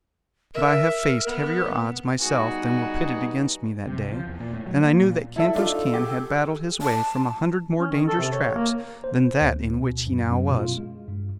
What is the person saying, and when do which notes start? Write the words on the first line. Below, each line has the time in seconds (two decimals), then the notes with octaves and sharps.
But I have faced heavier odds myself than were pitted against me that day, and I knew that Kantos Kan had battled his way from a hundred more dangerous traps than that in which he now was.
0.54 A#4 E5
1.26 B3
2.20 G3 B3 D#4 F#4 G#4
3.87 C3
4.00 C2
4.12 F3
4.27 E2
4.40 A#2
4.53 A2
4.67 F#3
4.82 A#3
5.00 A#2
5.36 E4 A4 E5
5.55 D4 D#4 F4 A4
5.93 G4 G#4
6.82 A5
7.80 C#4
7.92 D#3
8.07 A4
8.19 C3
8.32 C#5
8.54 A#3
9.04 C5
9.41 D2
9.81 B2
10.07 F#2
10.31 F#2
10.47 B2
10.60 F4
10.77 G#3
11.08 G2